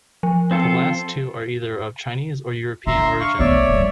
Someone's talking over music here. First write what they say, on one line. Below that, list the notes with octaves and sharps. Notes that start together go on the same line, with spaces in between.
The last two are either of Chinese or European origin.
F3
C4 F4 A4
D3 E5 A#5 C6
F5 C#6
B1 A3 C#5 D5 E5
D1 G3